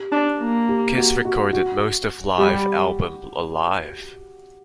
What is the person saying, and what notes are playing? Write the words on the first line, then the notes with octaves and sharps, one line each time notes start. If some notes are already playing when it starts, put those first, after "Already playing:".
Kiss recorded most of live album Alive!
Already playing: G4
D4
A#3
G4
F#4
F#4
F#4
G3 G4